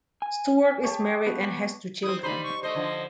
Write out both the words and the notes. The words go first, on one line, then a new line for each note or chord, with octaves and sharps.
Stewart is married and has two children.
G#5
G4 C#5 A5
B3 B4
C4 E4 D#6
G3 D#4 C5 B5
C#6
A3 C5 D#5
D3 F3